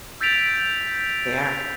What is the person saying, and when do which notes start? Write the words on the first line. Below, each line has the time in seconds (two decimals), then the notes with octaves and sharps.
They are.
0.21 E6 G6 A6 B6 D7 F7